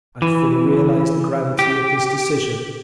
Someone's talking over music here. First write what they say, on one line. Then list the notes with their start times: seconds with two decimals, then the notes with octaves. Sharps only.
I fully realise the gravity of this decision.
0.22 E3
1.59 G4